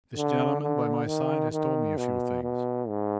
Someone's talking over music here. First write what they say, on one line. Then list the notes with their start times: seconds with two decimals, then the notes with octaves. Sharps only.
This gentleman by my side has told me a few things.
0.17 D3
0.62 D3
1.07 D#3
1.52 D#3
1.97 B2
2.43 B2
2.88 G#2